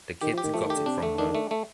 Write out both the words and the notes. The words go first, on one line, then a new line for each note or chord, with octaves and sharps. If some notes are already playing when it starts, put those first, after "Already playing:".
The kids got it from her.
D#3 G4
F3
G4
D#3
F3 A3
D#3
G4
D3
C3 D4
D3 A3
D#3 D4
D#3
A3
A3